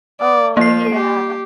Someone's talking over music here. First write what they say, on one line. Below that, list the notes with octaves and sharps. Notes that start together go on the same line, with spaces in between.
Oh, yeah.
D5
F3 A#3 C7
G4